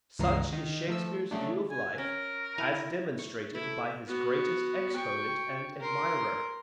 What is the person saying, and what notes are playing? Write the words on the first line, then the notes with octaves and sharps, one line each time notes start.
Such is Shakespeare's view of life as demonstrated by his greatest exponent and admirer.
G1 C#2 C#3 E3 A#5 C7
D#3 D#4
F3 A3 E6
C#3 F#3 A3 D4
G#5
C#4 A#4
E4 G#5 A#5
C#6
A3 E4
B3 F#4
G5 C#6
A#4 C6